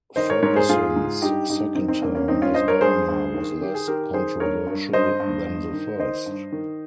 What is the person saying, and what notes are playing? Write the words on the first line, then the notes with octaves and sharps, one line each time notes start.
Ferguson's second term as governor was less controversial than the first.
D#3 C5 D#5
A#4 C#5
G#2 A#4 C#5
G#4 C5
G#2 F4 G#4
G#2
G2 D#4 G4
G2 D#4 G4
D#3 C4 D#4
C4 D#4
G2 A#3 C#4
A#3 C#4
G2 C4 D#4
C#4 F4
G2 C5 D#5
A#4 C#5
G2 G#4 C5
G2
D#3
D#3 G4
G#4
D#3 G4 A#4
D#3 G#4 C5
G2 A#4 C#5
G2
G2 C5 D#5
G2
G2
D#3
D#3 C5 D#5
G2
D#3